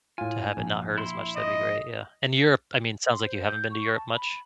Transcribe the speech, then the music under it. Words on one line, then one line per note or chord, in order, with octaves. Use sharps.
to have it not hurt as much, that'd be great, yeah. And Europe I mean, sounds like you haven't been to Europe much?
A2 F4 G#5
A#1
E4 C6
D#5
C6
C5
G6
C#6
A5
B5